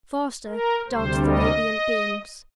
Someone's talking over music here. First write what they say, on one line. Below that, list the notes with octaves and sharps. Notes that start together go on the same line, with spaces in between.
Faster danced the radiant beams.
A#4
D2 C3 G3 C5
D#5